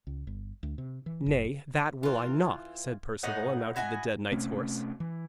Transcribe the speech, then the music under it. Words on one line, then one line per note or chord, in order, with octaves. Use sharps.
'Nay, that will I not,' said Perceval, and mounted the dead knight's horse.
C#2
G1
D2
C3
E3
F#1
E3 F4
A2 D#4 D#5 F#5
E4 F#4 D#5 G#5
C3 A3 C4 C#4
E3